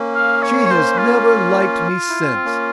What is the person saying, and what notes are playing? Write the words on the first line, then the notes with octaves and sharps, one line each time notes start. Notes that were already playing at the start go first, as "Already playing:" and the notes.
She has never liked me since.
Already playing: A#3 C#4
F5
C#5
C#5
C5
F4
E4
C#4
C4
A#3 C#4